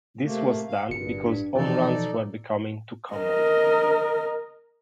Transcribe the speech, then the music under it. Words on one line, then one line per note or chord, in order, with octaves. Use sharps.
This was done because home runs were becoming too common.
C3 A3 A#3
F5
G1 G2 C#7
D4
B2 E3 F3 D#4 A4 D5
A#4 D#5